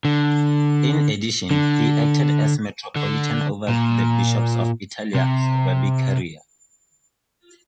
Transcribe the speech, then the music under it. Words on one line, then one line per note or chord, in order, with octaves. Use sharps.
In addition he acted as metropolitan over the bishops of Italia Suburbicaria.
D3
D3
D3
A#2
C3